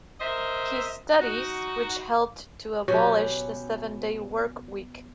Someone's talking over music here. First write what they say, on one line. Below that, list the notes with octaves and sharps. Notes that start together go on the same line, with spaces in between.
His studies which helped to abolish the seven-day work week.
A#4 C5 D#5 E5
D#4 F#4
B2 F#3 C#4 G4